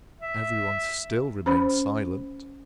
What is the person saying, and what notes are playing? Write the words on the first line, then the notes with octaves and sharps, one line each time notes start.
Every one still remained silent.
E5
C#4 C5 B5